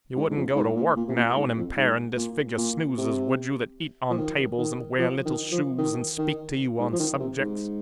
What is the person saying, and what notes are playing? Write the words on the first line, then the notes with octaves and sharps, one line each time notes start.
You wouldn't go to work now, and impair and disfigure snoozers, would you, that eat on tables and wear little shoes and speak to you on subjects?
G#2
G#2
F2
G#2
A#2
A#2
C3
A#2
G#2
F2
G#2
A#2
A#2
C3
F3
D#3
D#3
F3
D#3
F3
D#3
D#3
G#2
F3
D#3
C3
G#2